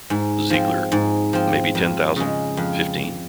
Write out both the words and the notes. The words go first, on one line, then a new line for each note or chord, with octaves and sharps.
Ziegler: Maybe ten thousand - fifteen?
G#2
F3 C4
G#2
F3 C4
F2
C#3 G#3
F2